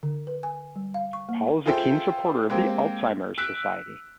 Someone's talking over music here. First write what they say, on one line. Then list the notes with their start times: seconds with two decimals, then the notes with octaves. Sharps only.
Paul is a keen supporter of the Alzheimer's Society.
0.03 D3
0.27 B4
0.43 G#5
0.76 G3
0.94 F5
1.13 C#6
1.29 A#3
1.66 F4 G#4 A4 C5 E5 G5
2.50 G#3 A#3 C4 G4
3.38 E6 F#6 B6 D7